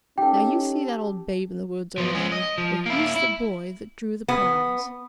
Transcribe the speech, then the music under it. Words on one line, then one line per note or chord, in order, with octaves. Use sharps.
Now, you see that old babe-in-the-wood over there? Well, he's the boy that drew the prize.
C#4 D#4 G4 A4 G5
F3 B3
G#3 C#4
D#5
F3
A#3 E4
E4
B3